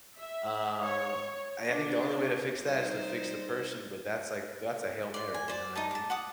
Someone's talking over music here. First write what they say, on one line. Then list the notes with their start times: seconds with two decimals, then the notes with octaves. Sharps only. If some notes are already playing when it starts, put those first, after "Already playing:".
Um, and I think the only way to fix that is to fix the person, but that's, like, that's a Hail Mary, you know what I mean?
0.18 E5
0.80 C#5
1.70 D4
2.62 G3 D#4 C5
5.14 D5 C6
5.34 G#5
5.48 C5 D5
5.75 D#4 D#5 A5
5.91 A5 D6
6.10 F#5 D6 D#6